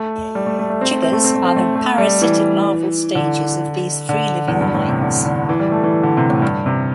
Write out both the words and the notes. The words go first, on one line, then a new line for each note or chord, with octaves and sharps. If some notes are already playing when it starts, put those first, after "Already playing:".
Chiggers are the parasitic larval stages of these free-living mites.
Already playing: A3
G3
A3
A3
A3
C4
A3
C4
A3
C4
A3
C4
A3
A3
G3
E3
D3
D3
E2
G2
A2
C3
D3
D3
E3
G3
A3
E3
D3
C3
A2
G2
C3